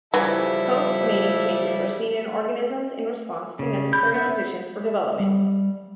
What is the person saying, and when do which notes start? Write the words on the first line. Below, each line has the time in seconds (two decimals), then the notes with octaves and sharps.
Post-mating changes are seen in organisms in response to necessary conditions for development.
0.14 C#3 E3 F3 G3 E4 A4
3.59 C#3
3.93 B5 G6
4.14 B3 E5
5.20 G3